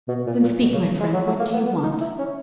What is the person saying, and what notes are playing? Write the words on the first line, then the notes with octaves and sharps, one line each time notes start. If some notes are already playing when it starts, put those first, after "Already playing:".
"Then speak, my friend; what do you want?"
B2
A#2
A#2
B2
C#3
G#3
F#3
F#3
A#3
B3
B3
D#4
E4
C#4